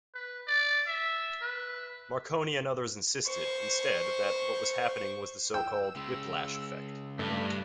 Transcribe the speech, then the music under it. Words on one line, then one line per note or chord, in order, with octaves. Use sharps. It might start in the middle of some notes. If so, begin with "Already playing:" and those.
Marconi and others insisted, instead, that what was happening was the so-called "whiplash effect"...
B4
D5
E5
B4
C5 C#6
G5 E6
C#3 G#3
G2 A3